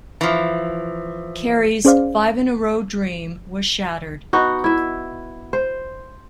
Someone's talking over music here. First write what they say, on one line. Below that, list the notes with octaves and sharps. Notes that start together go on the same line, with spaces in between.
Kerry's five-in-a-row dream was shattered.
E3 F3
C#4 G#4 C5 D5 F5
B3 D#4 F#4
E4 E5
C5